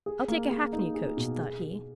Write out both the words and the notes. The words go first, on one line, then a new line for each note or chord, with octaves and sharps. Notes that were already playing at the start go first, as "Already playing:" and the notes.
"I'll take a hackney-coach!" thought he.
G#4
A#3
G#4
D#4
G#4
B2
G#4
G#4